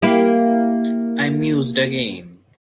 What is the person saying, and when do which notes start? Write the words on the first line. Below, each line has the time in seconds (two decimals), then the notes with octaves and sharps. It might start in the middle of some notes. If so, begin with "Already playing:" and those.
I mused again.
0.02 A#3 E4 G4